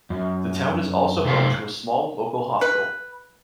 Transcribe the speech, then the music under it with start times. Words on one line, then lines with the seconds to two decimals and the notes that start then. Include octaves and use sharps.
The town is also home to a small, local hospital.
0.10 F#2
1.25 F#2 C3 A4 C5 E5 F5
2.61 B4